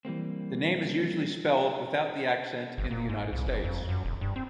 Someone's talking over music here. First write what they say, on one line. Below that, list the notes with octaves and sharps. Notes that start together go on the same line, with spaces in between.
The name is usually spelled without the accent in the United States.
E3 G3 A#3 C4
G1
A#2
G#2
C2
F#1
F2
F#2
E1
G2
C4